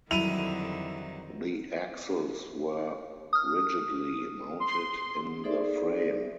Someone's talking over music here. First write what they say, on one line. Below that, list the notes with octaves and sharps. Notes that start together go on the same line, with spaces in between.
The axles were rigidly mounted in the frame.
F2 D3 D#3 F#3 G3 E4 D#7 F7
D#6 F6
C6
D#4 G#4 A4 C5 D5 E5